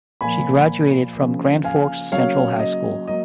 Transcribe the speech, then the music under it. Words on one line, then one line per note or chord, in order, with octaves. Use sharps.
She graduated from Grand Forks Central High School.
A#2 F3 A#3 G#5 B5
C#3 F3 A#3
F5 G#5
C#3 F#3 A#3 C#5 F5
D#5
F#3 A#3 D#5